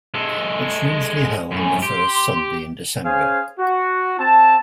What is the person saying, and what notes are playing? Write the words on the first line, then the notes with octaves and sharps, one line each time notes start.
It is usually held on the first Sunday in December.
G#3 A4
F#2 A2 G#5
G4 C6
C#4 G#4 C5 F5 G#5
F#4
C4 A5